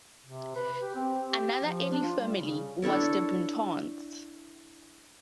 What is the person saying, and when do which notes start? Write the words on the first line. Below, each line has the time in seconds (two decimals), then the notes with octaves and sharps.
Another early family was the Buntons.
0.24 C3
0.55 B4
0.81 G4
0.95 C4
1.29 G4
1.64 F3
1.91 D4
2.02 F4
2.18 G3
2.40 C#3
2.82 D4 E4 A4 C#5